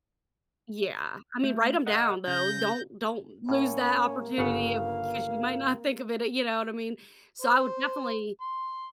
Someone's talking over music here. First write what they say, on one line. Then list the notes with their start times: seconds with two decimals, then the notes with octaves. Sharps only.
Yeah. I mean, write 'em down, though, don't don't lose that opportunity of 'cause you might not think of it, uh, you know what I mean? So, I would definitely
1.44 A3
1.87 A#4 D#5 F#5
2.27 C#3 G6 A#6
3.49 A2 A#3 C#4
4.38 G1 C#3 F5 F#5
7.42 C5
8.41 C6